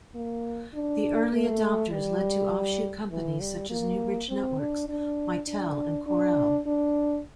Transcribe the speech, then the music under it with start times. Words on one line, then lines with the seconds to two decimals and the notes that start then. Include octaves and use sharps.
The early adopters led to offshoot companies such as Newbridge Networks, Mitel and Corel.
0.15 A#3
0.74 D4
1.33 A3
1.92 G3
3.11 E3
3.41 G3
3.70 A#3
4.30 C4
4.59 D4
4.89 D4
5.48 D4
6.07 D4
6.67 D4